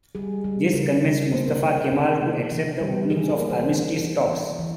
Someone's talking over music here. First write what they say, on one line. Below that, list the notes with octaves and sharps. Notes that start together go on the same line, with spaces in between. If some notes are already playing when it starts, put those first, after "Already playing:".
This convinced Mustafa Kemal to accept the opening of armistice talks.
G3 G#4
G3
C#3 A#4
C#3
A#3 C5
A#4
C3 A#4
G#4
C3 G#4
A#3
E3
G3
E3 G#4
A#4
A#3
C5
E3 C5
E3
E3
E3